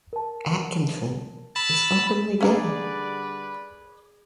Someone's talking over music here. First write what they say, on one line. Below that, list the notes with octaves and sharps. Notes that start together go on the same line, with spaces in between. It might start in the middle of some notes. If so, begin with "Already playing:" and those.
Atkinson is openly gay.
A#4 A5
A5 B5 E6
D3 G3 C#4 G#4 B4 D5 F5 A#5